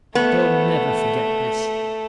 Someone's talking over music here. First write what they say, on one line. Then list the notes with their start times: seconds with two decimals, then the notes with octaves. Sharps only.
But they'll never forget this.
0.15 A3 B3